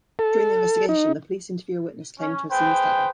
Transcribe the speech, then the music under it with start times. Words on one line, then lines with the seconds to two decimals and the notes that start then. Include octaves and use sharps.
During the investigation, the police interview a witness claiming to have seen the stabbing.
0.19 A4
0.89 D#4
2.20 C#4
2.51 G#4 B4 C5 G5